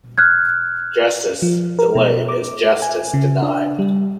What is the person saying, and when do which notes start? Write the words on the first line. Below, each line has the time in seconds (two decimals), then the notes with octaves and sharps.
Justice delayed is justice denied.
0.18 F6 F#6 G#6
1.42 F3
1.79 A#4
1.95 B2
2.29 D6
2.82 G#5
3.14 C#3
3.42 D4
3.79 G3